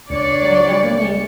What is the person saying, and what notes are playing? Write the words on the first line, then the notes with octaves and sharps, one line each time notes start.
Yeah, I definitely
C#2 D4 C#5 D5 C#7